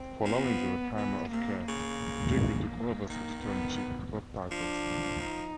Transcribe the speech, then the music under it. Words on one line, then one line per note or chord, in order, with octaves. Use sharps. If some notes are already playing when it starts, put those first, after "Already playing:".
Following the retirement of Kerr, Digby took over as Editor-in-Chief of both titles.
Already playing: C4
F3 B3
E3 B3
C3 A#3
C#3 A#3
D#3 A#3
B3
F3 D4
D#4